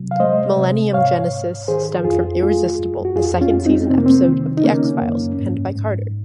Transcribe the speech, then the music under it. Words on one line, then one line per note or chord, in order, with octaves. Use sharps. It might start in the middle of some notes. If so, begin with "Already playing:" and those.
"Millennium" genesis stemmed from "Irresistible", a second-season episode of "The X-Files" penned by Carter.
Already playing: C3 F#3
F5
G#3 C5 D#5
C3
G#2 C#5 F5
G#2
D#3 G#4 C5
F2 F4 G#4
G#3 F4 G#4
F#2
F#4
F2 F4 G#4
C#4 F4
F2
C4 D#4
C3 C4
A#3
C4
D#3
D#4
C#3 A#3 C#4
F#2
G#2
G#2